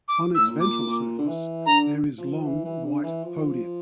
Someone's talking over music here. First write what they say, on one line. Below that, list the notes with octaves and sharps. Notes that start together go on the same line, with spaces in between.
On its ventral surface there is long white podia.
D6
A2 E6
A#2
D6
A#2
D3
E3
D3 A#5
F3
E3
E3
D3
E3
F3